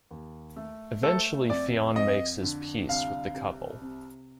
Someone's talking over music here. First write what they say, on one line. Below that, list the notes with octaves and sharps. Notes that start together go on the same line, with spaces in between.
Eventually Fionn makes his peace with the couple.
D#2
A3
A3 A4
F2 D5
F2 D#5
D3
C2 F5
C3
C3